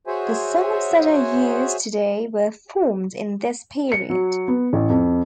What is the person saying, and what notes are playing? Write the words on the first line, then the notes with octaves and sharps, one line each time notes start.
The sounds that are used today were formed in this period.
F#4 G#4 C5 C#5 E5 G#5
C#7
F#3
B3
A1
F2